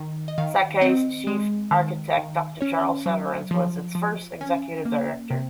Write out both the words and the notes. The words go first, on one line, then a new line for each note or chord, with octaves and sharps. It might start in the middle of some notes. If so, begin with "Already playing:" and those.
Sakai's chief architect, Doctor Charles Severance, was its first Executive Director.
Already playing: D#3
D#5
D#3 F5
C4 D#5
G#3
D#3
D#3
C#4 C#5
F#3
F3
F3
C#4 G#5
A#3
C3